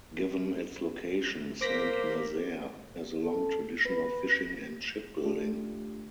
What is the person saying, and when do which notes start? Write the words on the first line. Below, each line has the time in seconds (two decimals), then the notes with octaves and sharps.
Given its location, Saint-Nazaire has a long tradition of fishing and shipbuilding.
1.61 A#3 C5 D6 A#6 B6
3.23 A4
3.85 B4
5.23 A3 D4 F4 G4